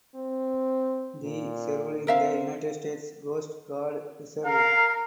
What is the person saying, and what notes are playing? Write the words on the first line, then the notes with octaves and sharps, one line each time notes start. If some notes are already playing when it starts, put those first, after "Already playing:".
Dee served in the United States Coast Guard Reserve.
C4
A#2
C4 A#4 E5 F5
A#4 F5